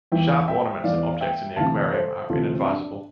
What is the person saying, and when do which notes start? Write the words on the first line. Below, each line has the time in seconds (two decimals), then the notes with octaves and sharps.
Sharp ornaments and objects in the aquarium are inadvisable.
0.12 E2 E3 E5 G5
0.48 E5 G5
0.84 E2 E3 D5 F5
1.21 E5 G5
1.56 D2 C3 E3 F5 A5
1.93 A4 C5
2.29 D2 C3 E3 F4 A4
2.54 C4
2.66 D4